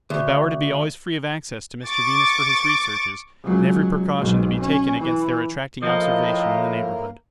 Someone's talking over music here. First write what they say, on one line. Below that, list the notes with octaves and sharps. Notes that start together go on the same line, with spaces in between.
The Bower to be always free of access to Mr Venus for his researches, and every precaution to be taken against their attracting observation in the neighbourhood.
D2
C#6 D6 A6
C#2 F#3
B1 G#2
C#4
E3
A2 F3 A#3 A#4 D#5